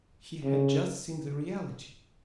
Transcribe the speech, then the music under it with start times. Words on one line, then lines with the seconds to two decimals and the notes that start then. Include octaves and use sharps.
He had just seen the reality.
0.43 C#3